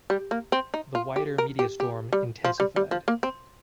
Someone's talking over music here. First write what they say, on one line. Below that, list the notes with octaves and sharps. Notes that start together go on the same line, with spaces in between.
The wider media storm intensified.
G3
A#3
C4
D#4
F4
G4
A#4
G4
G4
G3
F3
G3
G3
F3
A#3
C4